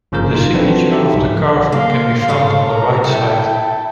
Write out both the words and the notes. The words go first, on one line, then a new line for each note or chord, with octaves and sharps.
The signature of the carver can be found on the right side.
G1 C#3 F3 A#3 A#4 G6
D#4 F4
C4 D4 F#4 A4 B4 C5
D#4 G4 A4 E5
B1 G#2
F3
A#3 F5 C6
G#2 A4 C#5
A#4 A#5
E4 A4 G5